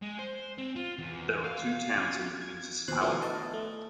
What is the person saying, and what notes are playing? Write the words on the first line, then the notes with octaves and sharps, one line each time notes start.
There are two towns in the municipality.
G#3
C5
C4
F4
E2
F5
C#4
G#6
D#2 B2 F3 C5 C6 F#6
F3 A3 B3 D4 E4 F#4
B4 D#5 A5
A3